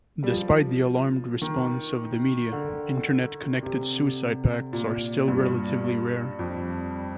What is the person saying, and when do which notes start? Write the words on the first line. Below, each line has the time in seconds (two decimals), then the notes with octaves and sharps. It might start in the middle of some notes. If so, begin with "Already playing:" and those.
Despite the alarmed response of the media, Internet-connected suicide pacts are still relatively rare.
0.24 G3
0.30 F3
1.42 D#3
2.52 D3
3.63 C3
4.73 A#2
5.28 G2
6.39 F2